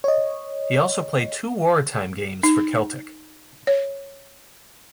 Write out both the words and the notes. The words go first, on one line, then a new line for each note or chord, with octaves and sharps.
He also played two wartime games for Celtic.
C#5 D#5
D#4
C#5